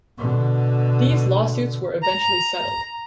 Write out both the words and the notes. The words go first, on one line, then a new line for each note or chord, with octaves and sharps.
These lawsuits were eventually settled.
B2 D3
A#5